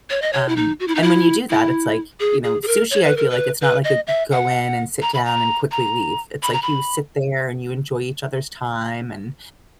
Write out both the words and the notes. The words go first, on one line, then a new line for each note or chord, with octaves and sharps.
um, and when you do that, it's like, you know, sushi, I feel like it's not, like, a go in and sit down and quickly leave, it's like you sit there and you enjoy each other's time and
C#5
D#5
C#5
E4
D#4
F#4
E4
D#4
E4
E4
G#4
G#4
G#4
A#4
C#5
B4
A#4
B4
B4
D#5
E5
F#5
A#5
B5
A#5
A#5
B5
A#5
B5